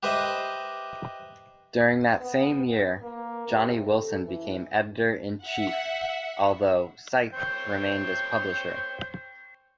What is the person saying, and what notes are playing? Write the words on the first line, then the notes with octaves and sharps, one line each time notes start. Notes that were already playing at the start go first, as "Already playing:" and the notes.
During that same year, Johnny Wilson became editor-in-chief, although Sipe remained as Publisher.
G4 B4 C5 D#5 E5
B3
B4
A#3
C3
A4
E3
E5 F#5
C5 C#5 G5